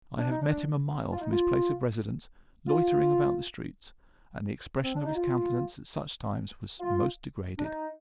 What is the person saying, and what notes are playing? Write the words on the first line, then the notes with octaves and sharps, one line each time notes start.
I have met him a mile from his place of residence, loitering about the streets; and the expression of his countenance at such times was most degraded.
D4
D#4
D4
F4
D#4
F4
F4
C4
D4
D#4
F4
F4
D4
D#4